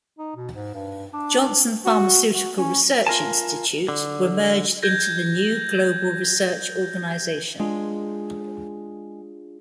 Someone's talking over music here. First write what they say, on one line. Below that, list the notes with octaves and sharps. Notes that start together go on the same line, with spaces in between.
Johnson Pharmaceutical Research Institute were merged into the new global research organization.
D#4
B2
G#2
G2
D4
F#4
F#4
C#4
F4 A#4 G#5 A5
D3
G6 G#6 A#6
G#3 D4 F4 G#4